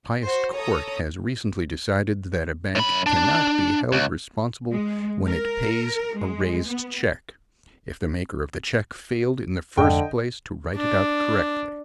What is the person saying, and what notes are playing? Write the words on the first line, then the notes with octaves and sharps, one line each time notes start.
The highest court has recently decided that a bank cannot be held responsible, when it pays a "raised" check, if the maker of the check failed in the first place to write it out correctly.
F#4 C5
A4 C#5 A#5 D#6
F#2 B5
D4
C#2
G#3
A#4
G#3
B3
F2 G#2 D3 D#5 G5
D4